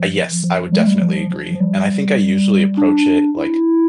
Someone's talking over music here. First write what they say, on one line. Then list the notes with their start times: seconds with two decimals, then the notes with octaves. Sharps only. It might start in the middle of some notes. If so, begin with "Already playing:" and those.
a yes, I would definitely agree. And I think I usually approach it, like,
Already playing: F3
0.43 F3
0.72 G3
0.79 A3
0.87 G3
1.02 F3
1.31 F3
1.55 F3
1.60 G3
2.77 D4
3.37 E4